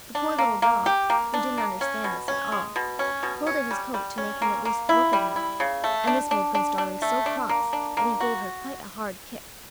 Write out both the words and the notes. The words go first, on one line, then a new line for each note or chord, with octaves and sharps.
The poor little dog, who didn't understand this at all, pulled at his coat to make him at least look at her, and this made Prince Darling so cross that he gave her quite a hard kick.
D4
A#3
A#3
G4
A#3
D4
A#3
C#4
B2
C#4
G#3
B2
C#4
B2
C#4
G3
G3
C#4
A#3
A#3
E4
G3
E4
C#3
A3
D4
D4
D4
D4
A3
D4
A#3
D4
A#3
F#4